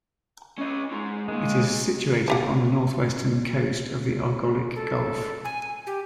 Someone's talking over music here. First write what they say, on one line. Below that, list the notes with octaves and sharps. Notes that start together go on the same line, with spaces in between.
It is situated on the northwestern coast of the Argolic Gulf.
C#4 D#5
G#3 D#4
D#3 G#3 A#3
F3 G4 F#5
A4
G#5
G4